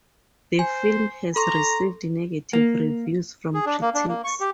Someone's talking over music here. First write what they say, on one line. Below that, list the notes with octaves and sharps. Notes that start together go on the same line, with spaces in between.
The film has received negative reviews from critics.
C5 G#5
A4 A#5 C6 C#6
A#3
G#4
D4
A#3
D4
A#3
C#6
G4